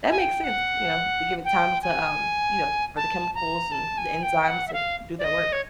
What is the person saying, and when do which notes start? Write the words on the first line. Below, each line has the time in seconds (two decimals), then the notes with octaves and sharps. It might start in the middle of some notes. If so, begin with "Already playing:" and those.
that makes sense, you know, to give it time to, um, you know, for the chemicals and the enzymes to do their work.
0.11 G#5
0.19 G5
0.44 F#5
1.45 G5
1.83 G#5
2.96 A5
3.35 A#5
3.72 A5
3.98 G#5
4.23 G5
4.48 F#5
4.68 E5
4.73 F5
5.19 D5
5.24 D#5
5.53 C#5